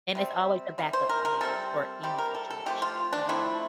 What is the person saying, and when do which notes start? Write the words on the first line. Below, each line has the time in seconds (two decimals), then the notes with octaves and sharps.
And it's always a backup plan for any situation, you know?
0.15 C3 G3 C4
0.78 C3 G3
0.93 C5
1.09 A#4
1.25 A#4
1.41 C3 G3 C4 A4
2.03 C3 G3 C4 G4
2.18 A#4
2.35 A4
2.50 A4
2.66 F3 A3 C4 G4
2.82 F4
3.13 D4
3.29 F3 A3 C4 E4